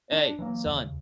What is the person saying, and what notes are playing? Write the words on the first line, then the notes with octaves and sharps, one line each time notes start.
"Hey, son,
D4
E3 F#3 A#3
D#2 C#3